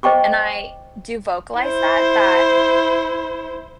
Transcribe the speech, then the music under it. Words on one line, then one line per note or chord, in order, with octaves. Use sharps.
and I do vocalize that, that,
C5 D#5 G5 C#6 D6
E4 C5